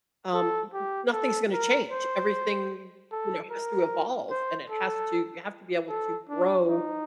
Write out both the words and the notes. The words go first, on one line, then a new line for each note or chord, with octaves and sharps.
um, n n-nothing's gonna change. Everything, you know, has to evolve and it has to you have to be able to grow,
A4
G4
A4
A#4
C5
A4
A#4
C5
A4
A4
D4
D#4